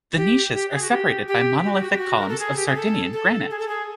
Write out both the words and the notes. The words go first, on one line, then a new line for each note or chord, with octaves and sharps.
The niches are separated by monolithic columns of Sardinian granite.
G4
G4
G#4
F#4
G4
G4
F#4
G4
F#4
G4
F#4
A#4
A4
G#4
G4
G#4
A4
A4
G#4
A4
G#4